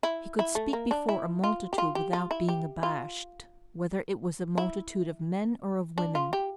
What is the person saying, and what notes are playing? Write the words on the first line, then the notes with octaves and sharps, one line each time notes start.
He could speak before a multitude without being abashed, whether it was a multitude of men or of women.
E4
E4
A3
A#3
D4
E4
F4
G4
F4
G4
F4
E4
G4
F4
E4
D4
F4
G4